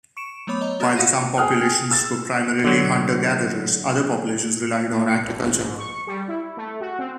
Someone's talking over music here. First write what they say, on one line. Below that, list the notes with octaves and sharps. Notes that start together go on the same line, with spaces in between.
While some populations were primarily Hunter-gatherers, other populations relied on agriculture.
C#6 C#7 D7 E7
F#3 A3 B3 C#5 B5 D6
C#5 D#5 A#5
B3 F#4 A#5 F6 F#6 G#6
F4 F#4 F5 F#5 A#6 D#7
G#4 G5 D#6 F6 F#6
E6 A6
D3 F#3
A2
A#1
G#2
C#6
G3
E4
A3
F#4
C4